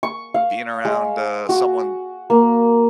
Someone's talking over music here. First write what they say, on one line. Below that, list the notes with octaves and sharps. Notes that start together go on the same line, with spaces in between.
being around, uh, someone
C#6
F5
G#3
F#4
A#3